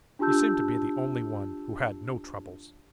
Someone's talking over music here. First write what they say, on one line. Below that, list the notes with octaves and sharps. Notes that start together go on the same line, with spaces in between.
He seemed to be the only one who had no troubles.
D4 F4 G4 A5 E6 G6